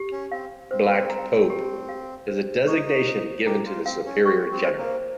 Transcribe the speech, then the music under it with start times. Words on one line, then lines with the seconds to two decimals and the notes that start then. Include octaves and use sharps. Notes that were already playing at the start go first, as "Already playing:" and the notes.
"Black Pope" is a designation given to the Superior General.
Already playing: G4
0.12 C#4
0.31 C4 F5
0.71 C4 C5
0.90 C4
1.10 A#5
1.50 G4
1.89 F5
2.28 C5
2.67 D#4 C#6
3.07 C5
3.46 G4 A#5
3.66 F4
3.85 C4 F5
4.06 C#4
4.25 C4 C#6
4.51 C4
4.65 C5
4.77 A#3